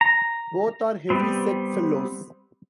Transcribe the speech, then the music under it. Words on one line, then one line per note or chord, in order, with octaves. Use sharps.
Both are heavy set fellows.
A#5
G3 B3 C4